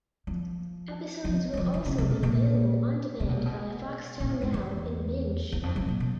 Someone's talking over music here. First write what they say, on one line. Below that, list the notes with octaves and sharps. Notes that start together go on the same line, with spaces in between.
Episodes will also be available on demand via Foxtel Now and Binge.
F3
F3
F#3
F3
E3
C#3
C3
A#2
A#2
C3
B2
A#2
B2
A#2
A2
G#2
E2
E2
F2
F#2
A#2
B2